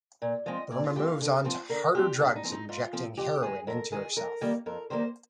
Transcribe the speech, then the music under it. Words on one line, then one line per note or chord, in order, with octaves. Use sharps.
Burma moves on to harder drugs injecting heroin into herself.
A#2
F3 G#3 C4 D#5
A#2 D5
F4
F3 G#3 C4 G4
F5
D3
F3 C4 C5
D3 A#4
F3 C4 G4
G#2 D4
D#4
F3 C4
D#4
G#2 F4
F3 C4
F2 G4
D#3 G#3 G#4
F2 A#4
D#3 G#3 G#4
F2 A#4
D#3 G3 A#3
F2 A#4
D#3 G3 A#3 C5